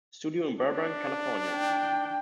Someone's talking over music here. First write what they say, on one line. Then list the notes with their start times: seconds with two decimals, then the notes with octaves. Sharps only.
Studio in Burbank, California.
0.60 D4
1.53 G5